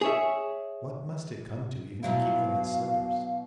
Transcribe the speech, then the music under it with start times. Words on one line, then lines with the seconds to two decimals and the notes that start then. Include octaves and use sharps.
What must it come to even to keep them in slippers.
0.01 G#4 C#5 E5
2.03 B2 F#3 E4 F5